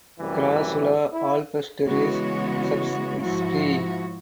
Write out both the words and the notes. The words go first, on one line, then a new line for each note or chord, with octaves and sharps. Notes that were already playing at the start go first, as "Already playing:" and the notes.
Crassula alpestris subsp.
F#2 C3 E3 G3 A3
E4
C#3 E3 G#3 B3 F#4 C#5
G#2 F3 E4 F#4